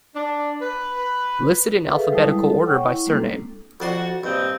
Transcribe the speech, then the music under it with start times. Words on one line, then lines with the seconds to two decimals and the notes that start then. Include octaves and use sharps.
Listed in alphabetical order by surname.
0.15 D4
0.61 B4
1.90 G#4 A4 B4 E5 F5
2.12 G3 G#3 E4 G#5 A5 D#6
2.39 A4
2.65 C#5 F#5 G5 C#6
2.84 E4
3.06 G3 G#3 A#3 C4 D4 A4
3.80 F2 F#4 D5 C6
4.24 G2 A#2 C4 D#5